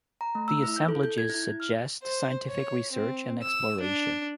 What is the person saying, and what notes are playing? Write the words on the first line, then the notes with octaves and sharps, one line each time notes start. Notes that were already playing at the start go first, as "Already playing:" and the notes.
The assemblages suggest scientific research and exploration.
A#5
A3
E6
E4
G6
A4
G6
G#6
E4
E4
F6
C5
C#5
C4
E6
D4